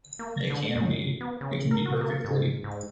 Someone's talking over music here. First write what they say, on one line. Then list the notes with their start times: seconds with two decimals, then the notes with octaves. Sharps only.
It can be. It can be perfectly.
0.19 A#3
0.50 D3
0.76 F#2
1.21 B3
1.41 C#3
1.71 A#4
1.86 F#4
2.01 A#3
2.25 G#2
2.64 G#2